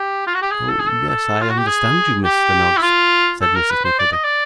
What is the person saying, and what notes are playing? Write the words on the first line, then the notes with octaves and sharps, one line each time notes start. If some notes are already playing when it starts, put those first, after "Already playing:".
'Oh yes, I understand you, Mr Noggs,' said Mrs Nickleby.
Already playing: G4
F4
F#4
G4
G#4
A4
G#4
A4
A4
F4
F#4
G4
G#4
G4
E4
F4
A4
A#4
B4
C5
D5
D#5
D5